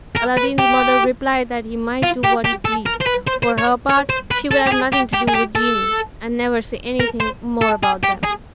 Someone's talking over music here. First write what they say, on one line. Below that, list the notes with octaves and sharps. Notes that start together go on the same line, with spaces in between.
Aladdin's mother replied that he might do what he pleased; for her part she would have nothing to do with genies, and never say anything more about them.
A#4
B4
G4
F4
G4
G4
A4
A#4
C5
B4
C5
C5
C#5
C#5
C5
B4
A4
G4
G#4
G4
G4
G#4
G4
A4
A#4
C5
A4
G#4
G4
G#4